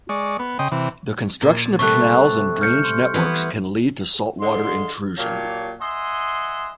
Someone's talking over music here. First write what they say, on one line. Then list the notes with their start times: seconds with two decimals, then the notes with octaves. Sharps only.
The construction of canals and drainage networks can lead to saltwater intrusion.
0.09 G#3 D5 C#6
0.39 B3
0.59 C#3 D#5 G5 C6
0.72 C3 E3
1.42 A#2
1.79 C3 G3 A3 C#6 F#6
2.61 F6 G6 C#7
2.85 C6
3.14 E3 B3
4.41 D3 G#3 F4 C6
5.17 A#2 F#3 G4 C#5 F5 A5
5.81 D#5 E5 F#5 G#5 C6